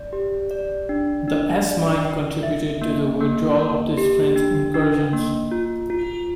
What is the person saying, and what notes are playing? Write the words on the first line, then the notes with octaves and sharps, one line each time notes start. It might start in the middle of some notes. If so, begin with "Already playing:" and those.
The S-mine contributed to the withdrawal of these French incursions.
Already playing: D5
G4
D5
D4
D4
D5
G5
E5
A#3
A#3
A#3
G4
D4
D4
A#3
F4
F4